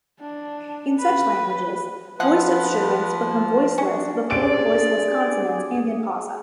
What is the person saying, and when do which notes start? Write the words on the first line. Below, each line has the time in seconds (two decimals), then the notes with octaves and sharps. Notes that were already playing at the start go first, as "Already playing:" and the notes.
In such languages, voiced obstruents become voiceless before voiceless consonants and in pausa.
0.20 D4
0.99 B4
2.20 F3 B4 D#5 F#5
3.78 C#4 D4
4.31 D4 G4 G#4 D5 C6 D7